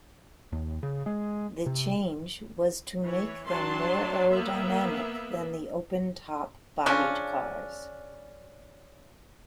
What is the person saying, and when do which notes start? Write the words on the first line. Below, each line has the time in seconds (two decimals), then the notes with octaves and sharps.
The change was to make them more aerodynamic than the open top bodied cars.
0.52 D#2
0.83 C#3
1.06 G#3
1.66 C3
3.04 E3 C#5
3.46 F#3 D4 A5 C6
4.31 A#3 B3 E5
6.86 C#3 F3 C#4 D4